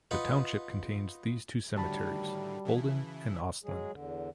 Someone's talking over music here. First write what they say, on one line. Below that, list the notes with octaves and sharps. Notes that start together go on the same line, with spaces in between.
The township contains these two cemeteries: Holden and Ostlund.
D#4 F4 B4 F#5
A2 D3 D#3 G3 F#4 A5 B5
C#3 E3 E4
F#3 G#3 G#4
E2 D3